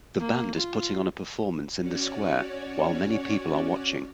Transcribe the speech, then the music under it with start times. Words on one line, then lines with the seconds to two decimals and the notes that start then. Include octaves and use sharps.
The band is putting on a performance in the square while many people are watching.
0.21 A#3
0.56 F4
1.78 C#4 F#4 C#5 D5